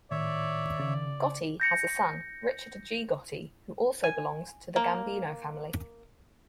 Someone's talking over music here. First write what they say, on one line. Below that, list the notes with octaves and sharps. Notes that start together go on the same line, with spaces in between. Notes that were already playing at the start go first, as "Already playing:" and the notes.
Gotti has a son, Richard G. Gotti, who also belongs to the Gambino family.
A2 D#3 C#5 D5 E5
C#3 D5
G6 A#6 C#7
G#5
A#3